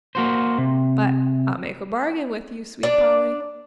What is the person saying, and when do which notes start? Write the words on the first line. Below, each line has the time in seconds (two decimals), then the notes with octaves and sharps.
But I'll make a bargain with you, sweet Polly.
0.15 A#3 F#4 C5
0.58 C3
2.83 D4 D5